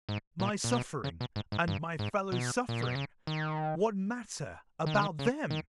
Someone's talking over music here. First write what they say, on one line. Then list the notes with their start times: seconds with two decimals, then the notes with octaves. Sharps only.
My suffering and my fellow-suffering--what matter about them!
0.09 G#2
0.40 A#2
0.64 A#2
0.72 B2
1.04 C#3
1.21 B2
1.36 G#2
1.52 G#2
1.68 G2
1.99 G#2
2.32 B2
2.69 A#2
2.82 B2
2.95 C#3
3.27 D#3
4.86 D#3
4.94 C#3
5.02 D#3
5.19 C#3
5.51 D#3